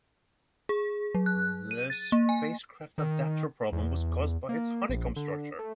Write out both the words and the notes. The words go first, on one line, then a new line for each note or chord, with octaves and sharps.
The spacecraft adapter problem was caused by its honeycomb structure.
G#4
F#3
F#6
D#7
A6
A#3
G#5
D#3
E2
A#3
A#1
D3
A3